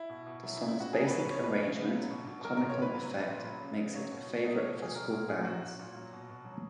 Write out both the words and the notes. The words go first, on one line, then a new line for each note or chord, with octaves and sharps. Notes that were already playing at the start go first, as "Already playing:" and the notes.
The song's basic arrangement and comical effect makes it a favourite for school bands.
Already playing: E4
B2
B2
F#3 E4
E4
C#3
E4
C#3 F#4
F#3 G#4
B4
B2
B4
B2 C#5
E3 B4
C#3
C#3
F#3
B2
B2
F#3 A#4
A#4
A#2
C#5
A#2 B4
F#3
A#2
A#2
F#3
C#3
C#3
F#3 C#5
B2
B2
F#3 D#5
C#5
B2
B2 G#4
F#3 A#4
A#2 A#4
A#2 G#4
F#3 F#4
A#2
A#2
F#3
B2
B2
F#3